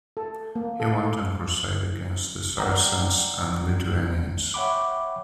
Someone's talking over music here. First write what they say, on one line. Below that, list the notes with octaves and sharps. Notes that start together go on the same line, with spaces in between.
He went on crusade against the Saracens and the Lithuanians.
A4
A#3
A4
D5 F#5 G5 A#5
C#5 E5 F#5 G5 B5 D6